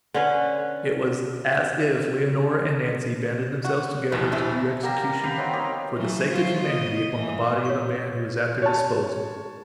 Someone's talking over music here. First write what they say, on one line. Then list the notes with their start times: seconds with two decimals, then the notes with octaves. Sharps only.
It was as if Leonora and Nancy banded themselves together to do execution, for the sake of humanity, upon the body of a man who was at their disposal.
0.14 D3 C#4 B4
3.64 F#4
4.12 A#1 D#2 D#3 E3
4.32 E3 A3 C4
4.83 G3 A#3 G4 F#5 A#5 A#6
5.23 B4 F5 G5
5.38 B3 C4 D#4 C#5
5.53 F#3 A#3 G4
5.95 E3 F#3 A3
6.29 F#3 F4 C5
6.62 B3 D#5
7.15 E3 A#3
7.65 C#5 C#6
8.62 C#5 A5